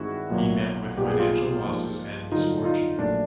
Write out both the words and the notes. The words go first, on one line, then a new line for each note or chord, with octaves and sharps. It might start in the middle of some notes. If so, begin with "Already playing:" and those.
He met with financial losses and misfortune.
Already playing: G2 D#3 G#3 C4 E4 F#4
B1 A#2 F#3 A#3
B1 A#2 G3 B3 G4
G#4
F4 G4
G#2 F3 A#3
G2 D3 F#3 D#4 F4
D#4 F4
A#1 A#2 F#3 A3 D4